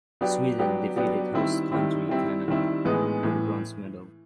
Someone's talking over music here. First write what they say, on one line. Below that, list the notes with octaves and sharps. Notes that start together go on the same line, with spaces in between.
Sweden defeated host country Canada for the bronze medal.
F#3 B3 D4 G4
F#3 B3 D4 G4
F#3 B3 D4 G4
D#3 G3 C4 E4
D#3 G3 C4 E4
D#3 G3 C4 E4
D#3 G3 C4 E4
A2 E3 G#3 B3 D#4
A2 E3